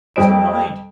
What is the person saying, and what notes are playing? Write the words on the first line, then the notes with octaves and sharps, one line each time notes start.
So mind.
F2 G3 C4 D#5 D7